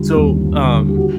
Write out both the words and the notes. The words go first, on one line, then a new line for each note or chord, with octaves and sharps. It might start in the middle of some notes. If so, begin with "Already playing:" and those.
so, um,
Already playing: D#2 D3 G3 F4
D#2
D3 G3
G4
F#4